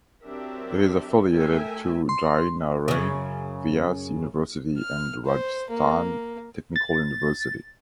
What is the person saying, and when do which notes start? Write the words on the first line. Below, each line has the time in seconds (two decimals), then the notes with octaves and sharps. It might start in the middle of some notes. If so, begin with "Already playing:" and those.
It is affiliated to Jai Narain Vyas University and Rajasthan Technical University.
0.24 F#3 C4 D4 G4 A#4 E5
1.30 A3 A#4 E5 G5 G#5
2.09 C6
2.88 F#2 C#3
4.78 F6
5.25 C5
5.70 A#3
6.76 A6